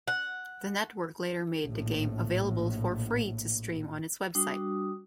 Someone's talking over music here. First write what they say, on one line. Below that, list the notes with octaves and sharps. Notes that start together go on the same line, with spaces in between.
The network later made the game available for free to stream on its website.
F#5
A#1 A2
G3 D4 F#4 D#6